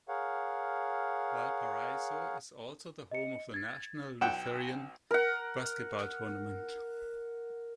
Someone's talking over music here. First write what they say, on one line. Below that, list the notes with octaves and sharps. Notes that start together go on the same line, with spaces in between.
Valparaiso is also the home of the National Lutheran Basketball Tournament.
G#4 A#4 C#5 F5 F#5
D#5 C#7
G#6 A6
B1 F#5 G5 E7
A#4 F#5